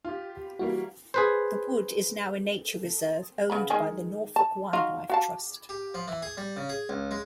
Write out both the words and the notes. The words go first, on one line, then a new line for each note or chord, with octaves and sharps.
The wood is now a nature reserve owned by the Norfolk Wildlife Trust.
F4 G4
E3 G3 A#3 F#4
G#4 B4 C5
C#3 B3 B5
D#3 G#3 G#4
A5
D#4 F4 F#4
F#4 F5 A5
G4
F3
E3
G#4
G3
C#3
G#4
C#2
G#3